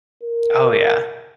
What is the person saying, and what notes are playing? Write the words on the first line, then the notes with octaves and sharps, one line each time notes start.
Oh, yeah.
A#4